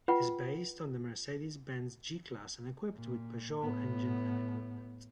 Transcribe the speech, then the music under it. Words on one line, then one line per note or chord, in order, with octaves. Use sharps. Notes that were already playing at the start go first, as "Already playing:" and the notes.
It is based on the Mercedes-Benz G-Class and equipped with Peugeot engine and equipment.
F4 B4 F#5 G5
A#2
A2 B3